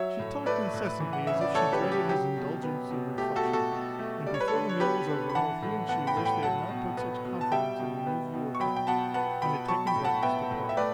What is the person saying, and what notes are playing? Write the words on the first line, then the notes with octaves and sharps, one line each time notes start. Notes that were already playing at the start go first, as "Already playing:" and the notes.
She talked incessantly, as if she dreaded his indulgence in reflection, and before the meal was over both he and she wished they had not put such confidence in their new view of things, and had taken breakfast apart.
Already playing: F#3 C#5 E5
A2
A3 B4 D5
A2
E3
F#5
C#3 E5
D5
A3 A4 C#5
G4 B4
C#3
G4
F#3 G4
B2
B3
B2
A3 G4
F#4 A4
B2
F#4 A4
B2
A3
G3 D5
C#5
B4
A4 C#5
D3
C#5
B3 G4 B4
D3
B5
E3 F#5 A5
A2
B3 F#5 A5
G5 B5
A2
G5 B5
F#3 F#5 A5
B2
B3
B2
A5
G3 E5 G5
B2
B3
B2
C#6
F#3 G5 B5
G5
B2 F#5 A5
B3 F#5 A5
B2 G5 B5
F#3 A5 C#6
G5 B5
A2
F#5 A5
B3 E5 G5
A2
E5
A3 B4 D5